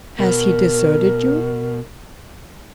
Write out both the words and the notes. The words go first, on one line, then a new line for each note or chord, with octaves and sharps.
"Has he deserted you?"
B2 A#4